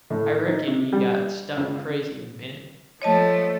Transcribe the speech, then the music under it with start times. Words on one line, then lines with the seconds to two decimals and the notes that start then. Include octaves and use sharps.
I reckon he got struck crazy a minute.
0.10 A2
0.47 D#4
0.68 C3
0.92 G3
1.57 C#2
3.02 F3 A3 C#5 D#5 A5